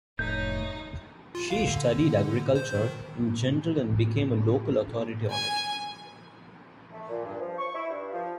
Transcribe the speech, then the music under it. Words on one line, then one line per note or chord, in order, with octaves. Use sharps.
She studied agriculture in general and became a local authority on it.
F1 A2 D#4 C#5 E5 G6
F4
F5
D3
C5
D#3
G#5
A3
A#2
G2
F3
C#6
E4
G2
F3